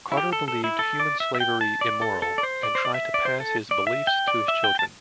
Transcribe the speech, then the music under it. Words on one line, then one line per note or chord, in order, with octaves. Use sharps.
Carter believed human slavery immoral, and tried to pass his beliefs to his children.
E4
G4
A4
A4
E4
A4
D5
E5
E5
G5
A5
D5
A4
A4
D5
C5
D5
C5
D5
E5
D5
C5
A4
D5
E5
G5
D5
E5
G5
A5